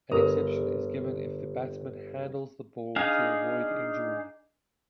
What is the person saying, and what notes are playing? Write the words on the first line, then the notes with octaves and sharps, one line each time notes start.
An exception is given if the batsman handles the ball to avoid injury.
G1 A#4 A#5
D4 D#4 G#4 F5